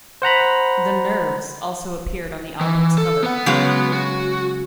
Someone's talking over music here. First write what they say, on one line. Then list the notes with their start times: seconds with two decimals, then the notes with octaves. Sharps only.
The Nerves also appeared on the album's cover.
0.22 C5 F#5 A#5 B5
2.61 E3
2.98 A4
3.23 B3 B4 F#5
3.46 C#3 F#3 G#3
3.93 F#4